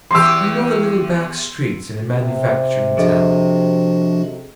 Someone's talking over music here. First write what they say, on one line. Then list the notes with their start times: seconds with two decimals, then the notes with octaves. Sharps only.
Do you know the little back streets in a manufacturing town?
0.11 E2 G4 C6 E6
2.15 C3
2.97 F3 D4 F#4 G#4 A4 D#5